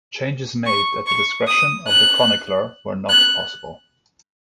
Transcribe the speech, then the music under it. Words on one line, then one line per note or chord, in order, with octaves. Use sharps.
Changes made at the discretion of the chronicler were not possible.
C#6
C#6
D#6
F#6
F#6